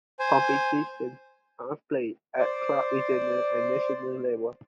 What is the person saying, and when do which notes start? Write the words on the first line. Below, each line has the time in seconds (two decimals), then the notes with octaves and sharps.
Competitions are played at club, regional and national level.
0.19 C5 G#5
2.37 C5 D5